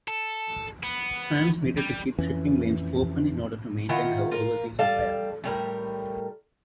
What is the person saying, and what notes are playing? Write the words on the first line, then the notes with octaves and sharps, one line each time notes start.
France needed to keep shipping lanes open in order to maintain her overseas empire.
A4
B3
G3
F2 E3 C#4
D#3 E4 F4 F#5
F4 A#4
G3 A4 F5 A5
A2 G3 A#4